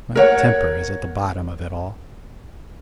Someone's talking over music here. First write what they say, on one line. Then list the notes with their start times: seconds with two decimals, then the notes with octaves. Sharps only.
My temper is at the bottom of it all.
0.15 A#4 C#5 F#5